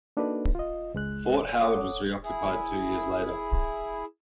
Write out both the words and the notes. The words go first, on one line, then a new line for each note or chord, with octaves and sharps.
Fort Howard was reoccupied two years later.
A#3 D4 D#4 F#4 A4 B4
F4 D#5
C#2 G#3 F#6
A4 C#5 F#5 D6 D#6
E4 G#4